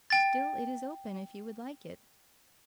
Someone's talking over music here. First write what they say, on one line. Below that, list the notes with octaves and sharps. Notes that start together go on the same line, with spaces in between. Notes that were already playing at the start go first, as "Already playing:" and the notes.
Still it is open, if you would like it.'
G5 A6